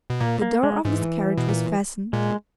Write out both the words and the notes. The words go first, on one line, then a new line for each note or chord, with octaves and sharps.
The door of this carriage was fastened.
B2
A#2 A#3
A#3
G#3
G#2 E3
B2
A#2
A#2 G#3